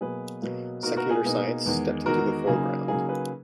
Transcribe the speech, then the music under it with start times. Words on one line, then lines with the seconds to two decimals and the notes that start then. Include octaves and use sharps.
Secular science stepped into the foreground.
0.01 B2 F#3 A#3 G#4 B4
0.42 B2 F#3 A#3
0.83 B2 A#3 D#4 F#4 A#4
0.97 F#4 A#4
1.10 G#4
1.25 B2 A#3 D#4
1.66 E2 D#3 G#3
2.06 E2 D#3 G#3 F#4 A#4
2.47 C#3 F#3 A#3 D#4 G#4
2.88 C#3 F#3 A#3 D#4 G#4
3.09 G#4 B4